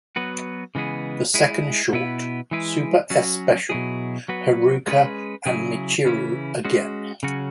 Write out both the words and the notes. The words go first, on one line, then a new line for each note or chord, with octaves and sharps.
The second short, SuperS Special: Haruka and Michiru, Again!
F#3 B3 F#4 B4
C#3 E3 G#3 B3 G#4
G#3 E4 G#4
B2 B3 E4 B4
E3 G#3 E4 G#4 B4
F#3 C#4 F#4
B2 F#3 E4 G#4
F#3 B3 F#4 B4
G#3 C#4 G#4 B4
C#3 F#3 E4 G#4
C#3 E3 C#4 E4
G#3 C#4 F#4
C#3 F#3 C#4 F#4